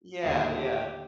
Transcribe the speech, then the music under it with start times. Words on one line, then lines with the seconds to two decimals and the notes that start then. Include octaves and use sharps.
Yeah, yeah.
0.22 D#2 D3 F#3 G#4
0.56 G4